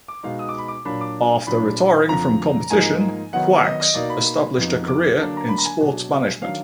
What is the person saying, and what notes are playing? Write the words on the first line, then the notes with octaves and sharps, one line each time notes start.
After retiring from competition, Quax established a career in sports management.
D6
B2 G#3 B3 D#4 F5
D#6
D6
B5
D6
A#2 F#3 A#3 D4 B5
D6
A#2 F#3 D4 B5
F2 D3 F3 A#5
G#2 F3 A#3 D#4 G#5
D#3 F#3 B3 D#4 F#5
D#5
D#5
B2 A#3 D#4 D5
B5
F2 F3 B3 D#4
D6
D3 F#3 A#3 D4
A#5
B5
A#5
G#5
B2 F#3 D4
D#3 F#3 D4 F5